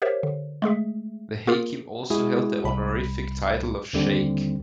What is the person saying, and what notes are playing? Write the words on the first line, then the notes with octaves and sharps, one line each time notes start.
The Hakim also held the honorific title of sheikh.
G4 A#4 C5 C#5 E5
D3
G#3 A3 G#4 E5
A#3 F4 G#4 A#4
G#3 E4 F#4 G#4
C2 B5
D#2 D3 G3 C4